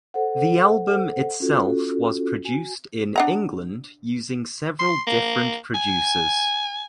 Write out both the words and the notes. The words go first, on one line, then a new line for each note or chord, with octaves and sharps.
The album itself was produced in England using several different producers.
A4 C5 F#5
C#4 F4 F#4 A4
F#4 G#5
D4 F#5 A#5
C6
A#3
G#5